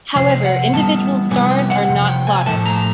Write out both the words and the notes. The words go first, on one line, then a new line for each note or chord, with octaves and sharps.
However, individual stars are not plotted.
F2 C3 C5
D5
F#5
F2 C3 E3 G3 B3 A5
F2 C3 E3 G3 B3 G#5
G5
F#5
F2 C3
G5
G#5
A2 F3 A3 A5
A#5